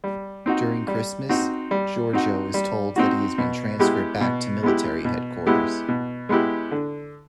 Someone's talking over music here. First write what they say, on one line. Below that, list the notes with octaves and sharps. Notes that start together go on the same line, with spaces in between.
During Christmas, Giorgio is told that he has been transferred back to military headquarters.
G3
C4 D#4 F#4
G3
C4 D#4 F#4
G3
C4 D#4 F#4
G3
C4 D#4 F#4
B2
G#3 B3 E4 G4
B2
G#3 B3 E4 G4
B2
G#3 B3 E4 G4
B2
G#3 B3 E4 G4
D3